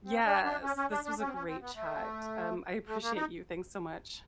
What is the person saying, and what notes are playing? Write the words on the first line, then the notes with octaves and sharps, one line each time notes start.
yes, this was a great chat, um, I appreciate you, thanks so much.
C4
D4
D4
C#4
C#4
D4
D4
C#4
C4
C#4
C4
B3
A3
A3
A#3
D#4